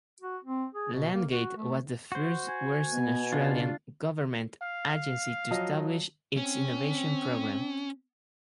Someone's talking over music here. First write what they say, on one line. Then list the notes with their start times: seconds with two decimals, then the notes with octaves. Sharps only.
Landgate was the first Western Australian government agency to establish its Innovation Program.
0.21 F#4
0.44 C4
0.75 G#4
0.92 B2
1.14 A#3
1.30 F#4
1.57 A3
2.12 F#4 C5
2.48 G#5
2.92 B2 B3
3.33 C#3 D4 F4
4.62 F5
5.51 F3 F#3 D#5
6.37 C4 C#4